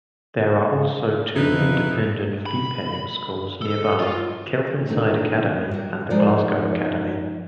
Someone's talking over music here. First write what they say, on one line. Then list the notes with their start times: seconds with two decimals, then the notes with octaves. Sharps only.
There are also two independent, fee-paying schools nearby, Kelvinside Academy and The Glasgow Academy.
1.35 F2 B2 D#4 E4 B4
2.46 B5
3.62 A4
3.99 F4
4.87 A#2 D#3 A3 D4 F#4
5.71 G3 F#4
6.10 F3 G#3 D#4 F#4 A#4 D5